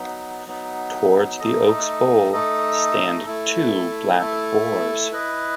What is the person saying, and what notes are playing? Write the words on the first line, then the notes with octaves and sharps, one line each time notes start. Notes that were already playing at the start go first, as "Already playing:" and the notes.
Towards the oak's bole stand two black boars.
Already playing: F#3 B3 D#4
F#3 B3 D#4
A3 D#4 A4 D#5
A3 D#4 A4 D#5
A3 E4 A4
A3 E4 A4
E4 B4 D#5